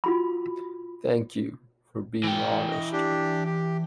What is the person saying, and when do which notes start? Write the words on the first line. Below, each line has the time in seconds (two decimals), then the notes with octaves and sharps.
Thank you for being honest.
0.04 F4 F#4 B5
2.23 E3 G5
2.71 D#5
2.92 D4 G4
3.46 G4